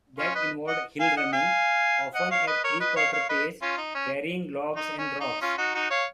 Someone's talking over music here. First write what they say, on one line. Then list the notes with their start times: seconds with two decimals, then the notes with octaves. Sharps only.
That involved hill running, often at three-quarter pace, carrying logs and rocks.
0.19 C#4 F4
0.35 B4 D#5
0.67 D#5 F#5
1.00 F5 G#5
1.17 D#5 F#5
1.32 F5 G#5
2.15 D#5 F#5
2.31 C#5 F5
2.47 B4 D#5
2.64 A#4 C#5
2.80 B4 D#5
2.96 C#5 F5
3.13 C#5 F5
3.29 B4 D#5
3.62 C#4 F4
3.78 D#4
3.95 C#4
4.76 D#4
4.98 C#4
5.20 D#4
5.42 C#4 F4
5.58 D#4 F#4
5.75 D#4 F#4
5.90 C#5 F5